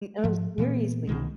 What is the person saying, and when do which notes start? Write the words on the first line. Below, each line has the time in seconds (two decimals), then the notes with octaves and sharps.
No, seriously.
0.24 G#2 F3
0.58 A#2 E3 A#3 B3
1.07 C2 B2 D#3 G#3